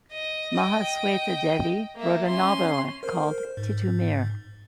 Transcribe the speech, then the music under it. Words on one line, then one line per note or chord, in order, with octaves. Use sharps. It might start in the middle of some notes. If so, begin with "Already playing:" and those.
Mahasweta Devi wrote a novella called "Titu Mir".
D#5
D#5 G5
A#3 E5
C#4 C6
A#4 C5
G#2